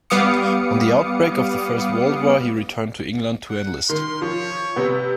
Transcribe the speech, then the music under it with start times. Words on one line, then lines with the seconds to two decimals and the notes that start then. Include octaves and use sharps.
On the outbreak of the First World War he returned to England to enlist.
0.10 G3 B3 F5 D6 D#6 C#7
3.50 F#5
3.90 D#3 C6
4.22 F3 C#5
4.76 C3 B3